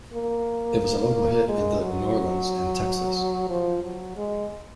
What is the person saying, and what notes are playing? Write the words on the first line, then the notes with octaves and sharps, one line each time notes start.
It was a local hit in the New Orleans and Texas.
A#3
G#3
F#3
F3
F#3
G#3